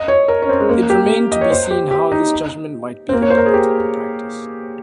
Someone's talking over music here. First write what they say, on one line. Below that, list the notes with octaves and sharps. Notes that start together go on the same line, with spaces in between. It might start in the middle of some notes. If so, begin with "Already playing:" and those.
It remained to be seen how this judgment might be implemented in practice.
Already playing: D#5
C#5
A#4
C#4
C4
G#3
A#3
G4
D#5
C#5
C5
G4
G4
D#4
C4
A#3
C#5
C5
A#4
G#4
G4